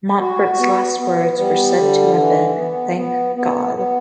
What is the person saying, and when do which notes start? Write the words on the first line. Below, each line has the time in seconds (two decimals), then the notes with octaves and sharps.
Montfort's last words were said to have been "Thank God".
0.19 F#4
0.59 B3
0.99 B3
1.38 G3
1.78 D3
2.17 E3
2.57 B3
2.97 B3
3.36 B3
3.75 B3